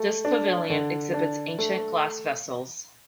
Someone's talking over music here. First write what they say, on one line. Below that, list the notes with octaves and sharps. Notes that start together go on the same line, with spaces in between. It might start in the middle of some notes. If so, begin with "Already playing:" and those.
This pavilion exhibits ancient glass vessels.
Already playing: A3
D4
D3
D4
A3